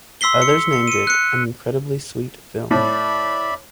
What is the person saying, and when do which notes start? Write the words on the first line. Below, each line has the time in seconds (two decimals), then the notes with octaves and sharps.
Others named it an "incredibly sweet film".
0.21 C6 E6 B6 C7 G7
0.42 C#7
0.73 C#7
0.87 C#7 D#7
1.07 F#6 C#7
2.71 A2 D5 E5 B5